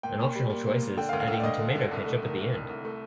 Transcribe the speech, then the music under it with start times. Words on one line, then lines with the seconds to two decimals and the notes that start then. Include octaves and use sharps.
An optional choice is adding tomato ketchup at the end.
0.03 A#2 G5
0.19 A#2
0.35 G3
0.50 A#2
0.66 A#3
0.82 A#2
0.97 D3 G5
1.09 F5
1.13 D2
1.20 F5
1.28 D2
1.33 G5
1.40 D5
1.44 D2 D#5
1.59 D3
1.76 D3
1.91 C2
2.06 A3
2.22 D#3
2.38 C2
2.53 C2
2.69 C2
2.85 A3